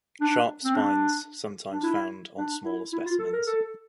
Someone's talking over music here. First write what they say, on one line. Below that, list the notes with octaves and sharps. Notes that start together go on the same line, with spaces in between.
Sharp spines sometimes found on smaller specimens.
D4
C4
D4
D4
E4
D4
E4
E4
F4
A4
A#4
A4